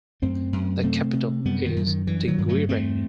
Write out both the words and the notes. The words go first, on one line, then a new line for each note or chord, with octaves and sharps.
The capital is Dinguiraye.
F#2 A3 C4
F#2
C3 A3 C4
C3
F#2 G3 B3
D#3
F#2
D#3
G2 E3
D#3 F#3
G2
F#3 A3
E2 A3 C4